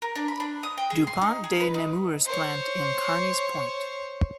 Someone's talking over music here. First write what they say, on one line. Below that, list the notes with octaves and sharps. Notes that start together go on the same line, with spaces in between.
DuPont de Nemours plant in Carneys Point.
A#4
D4
B5
D4
D#6
G5
G#4
C6
D#4
G#4
B4
D#4
C5 C#5